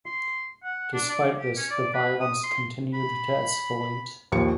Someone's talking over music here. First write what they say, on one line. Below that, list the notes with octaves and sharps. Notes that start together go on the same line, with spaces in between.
Despite this, the violence continued to escalate.
C6
F#5
D4
D5
G4
C#4
D5
B4
D#6
C6
B5
A#1 D#2 C#7